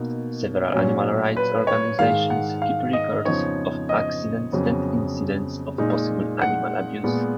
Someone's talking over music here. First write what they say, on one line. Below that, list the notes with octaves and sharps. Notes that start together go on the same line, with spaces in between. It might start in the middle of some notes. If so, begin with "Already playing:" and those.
Several animal rights organizations keep records of accidents and incidents of possible animal abuse.
Already playing: B2 A#3 D#4
A#2 F#3 C#4
B4
C#5
G#2 D#3 G#3 F5
F#5
F5
D#5
F2 C#3 F3 B3 D#4 C#5
D#5
F2 C#3 F#3 B3
A#2 G#3 D#4
F#5
A#2 G#3 B3